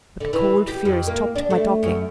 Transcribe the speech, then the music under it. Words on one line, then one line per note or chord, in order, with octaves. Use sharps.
But cold fear stopped my talking.
D3
E3
G4
F2
A#3
D4
A3
F#2